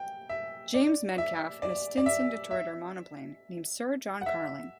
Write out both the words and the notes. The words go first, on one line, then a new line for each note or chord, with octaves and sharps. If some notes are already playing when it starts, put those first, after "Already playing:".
James Medcalf in a Stinson Detroiter monoplane named "Sir John Carling".
Already playing: G5
E5
D5
E5
D5
D5
E5
E5
F#5
E5